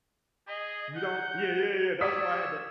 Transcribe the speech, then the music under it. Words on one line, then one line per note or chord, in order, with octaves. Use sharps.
You don't Yeah, yeah, yeah, that's why I had to
G#4 D#5
F#5 G6
G4 C#5 D5 D#6 E6 B6